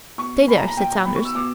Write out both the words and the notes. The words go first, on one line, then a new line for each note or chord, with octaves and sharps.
"Stay there," said Saunders.
B2 C#6
A#2 B5
A#5
A#5
A#2 G5
A#5
B2 B5
C#6
E6
B2 D6